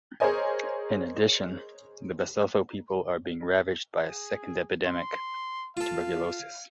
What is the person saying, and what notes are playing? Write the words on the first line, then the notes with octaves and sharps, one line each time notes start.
In addition, the Basotho people are being ravaged by a second epidemic: tuberculosis.
G#4 A#4 C5 C#5 D#5 G#5
G#4
C6
F4 A4 F5